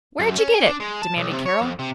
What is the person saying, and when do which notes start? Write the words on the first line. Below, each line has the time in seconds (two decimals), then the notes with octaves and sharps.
"Where'd you get it?" demanded Carroll.
0.20 F#2
0.38 C#4
0.54 G#5
0.66 D4
0.80 G#3
1.02 A5
1.17 B1
1.33 C3
1.46 C#5
1.61 F2
1.79 C3